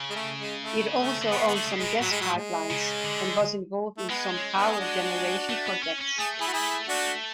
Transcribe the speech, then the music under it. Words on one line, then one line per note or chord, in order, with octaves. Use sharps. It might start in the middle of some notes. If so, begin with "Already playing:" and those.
It also owned some gas pipelines and was involved in some power generation projects.
Already playing: C#3
G#3
A3
G#3
A3
A3
D3
C#3 B3
D3 B3
A3
C#3
G#3
B2
A2 F#3
G#3
F#3
G#3
C#3
D3
A3
G#3 B3
C#4
B3 D4
G#4
D4 F#4
A3
B3
C#4
C#4
A3 G#4
E4 G#4
F#4
E4 G#4
D4 F#4